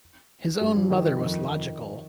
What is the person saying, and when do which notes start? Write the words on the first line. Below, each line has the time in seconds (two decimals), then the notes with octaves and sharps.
His own mother was logical.
0.61 G2 G3
0.76 F3
0.90 D#3
1.20 F2 D#3